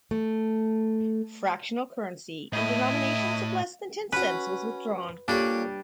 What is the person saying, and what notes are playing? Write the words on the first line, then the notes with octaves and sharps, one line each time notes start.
Fractional currency in denominations of less than ten cents was withdrawn.
A3
A2 E4 D#5
C#4 F#4 B4
A#2 G3 D4 A4 C#5